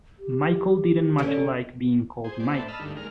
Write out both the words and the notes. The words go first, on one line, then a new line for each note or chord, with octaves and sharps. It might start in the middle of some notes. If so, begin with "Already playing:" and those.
Michael didn't much like being called Mike.
G4
D3 C#4
G#4 C5
G4 C5 D5
A2 B3 D4 C5 E5 A5
D#5 A5 B5 E6 F6
D2 G2 D3 D#3
D#2 G#3 A#4 F6